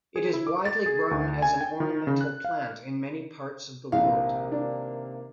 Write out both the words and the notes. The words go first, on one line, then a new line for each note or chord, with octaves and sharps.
It is widely grown as an ornamental plant in many parts of the world.
G#4
E4
D6
A6
G#4
D2
G#5
G5
D#3
C#3
F#6
F5
A#1 C3 D#3 A#3 E4 F5
D4